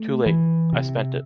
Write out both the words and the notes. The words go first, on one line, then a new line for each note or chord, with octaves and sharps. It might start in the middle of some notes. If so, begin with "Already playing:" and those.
Too late. I spent it.
Already playing: A3
E3
C3